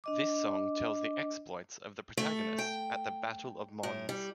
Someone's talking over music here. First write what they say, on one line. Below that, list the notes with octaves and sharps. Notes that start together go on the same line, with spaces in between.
This song tells of the exploits of the protagonist at the Battle of Mons.
D4 D#5 D6
A3
G5
A2
G3